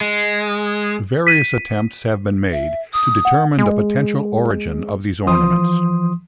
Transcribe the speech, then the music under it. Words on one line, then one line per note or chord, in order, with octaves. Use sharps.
Various attempts have been made to determine the potential origin of these ornaments.
G#3
B6 D#7
E5
D#6
F#5
G#3
E3 F3 C6 D#6